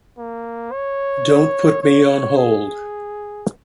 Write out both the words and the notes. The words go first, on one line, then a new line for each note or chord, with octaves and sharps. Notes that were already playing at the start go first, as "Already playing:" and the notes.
Don't put me on hold.
A#3
C#5
C#5
G#4